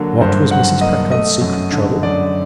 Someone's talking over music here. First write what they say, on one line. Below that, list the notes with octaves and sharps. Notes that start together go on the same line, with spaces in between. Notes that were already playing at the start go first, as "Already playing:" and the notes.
What was Mrs. Packard's secret trouble?
Already playing: D3 F#3 A#3
G2 C5
F#3 F#5
A#3 D#5
A3 D#5
F#2
D3
F#2 D5